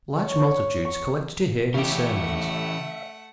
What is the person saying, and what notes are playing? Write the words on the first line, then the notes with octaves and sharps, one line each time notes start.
Large multitudes collected to hear his sermons.
C#5
C#6
C#6
C#3 E3 A3 C#4 G4 E5 F#5